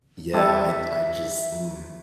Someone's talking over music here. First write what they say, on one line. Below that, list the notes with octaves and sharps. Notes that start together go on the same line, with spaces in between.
yeah, I I just mm.
G3 A4 E5